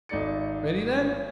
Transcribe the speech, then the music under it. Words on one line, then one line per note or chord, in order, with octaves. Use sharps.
"Ready then!"
G#1 D#4 A4 D5 C#7